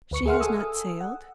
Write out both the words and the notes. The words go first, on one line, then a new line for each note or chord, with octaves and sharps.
"She has not sailed?"
D2 B4 C#6 C#7
G#4 A#4 E5 F#5 C6 F6
A4 G#5 D#6 E6
F#5